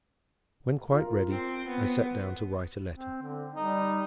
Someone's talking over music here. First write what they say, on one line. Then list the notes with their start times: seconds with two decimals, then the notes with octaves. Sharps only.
When quite ready, I sat down to write a letter.
0.93 F4 A#4
1.31 C4
1.68 B3
2.94 C4
3.22 D3
3.55 G3 D#4